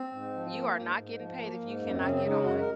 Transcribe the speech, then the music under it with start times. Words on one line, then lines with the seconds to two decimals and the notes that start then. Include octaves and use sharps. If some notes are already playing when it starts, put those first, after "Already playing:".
You are not getting paid if you cannot get on.
Already playing: C4
0.12 G#2
0.33 F3
0.54 A#3
0.75 G#2
0.96 G#2
1.17 F3
1.38 A#3
1.59 G#2
1.80 F#2 A#3
1.90 C#4
1.96 C4
2.01 C#3
2.06 C#4
2.12 C4
2.23 G#3 D#4
2.43 F#2 F#4
2.59 A#4